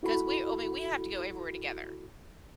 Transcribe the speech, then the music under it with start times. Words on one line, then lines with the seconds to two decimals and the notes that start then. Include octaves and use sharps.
'cause we're I mean, we have to go everywhere together,
0.03 E4 F#4 A4 B5